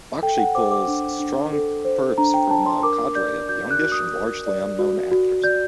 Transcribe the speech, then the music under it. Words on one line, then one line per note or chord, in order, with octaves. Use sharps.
Bakshi pulls strong perfs from a cadre of youngish and largely unknown actors.
A4 G5
F#5
C5 D6
D6
D4
D4
A4
C5
D4 A#5
G5
D4 A5
C6
A#4 D6
D5 G6
F#4 G6
F#6
F#4 F#6
D#6
A#4
D5
F#4
F#4
D5 G6